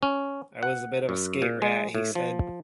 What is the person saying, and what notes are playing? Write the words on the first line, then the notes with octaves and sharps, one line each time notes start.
"I was a bit of a skate rat," he said.
C#4
F#5
F#2
A#2
G#3
A2
F3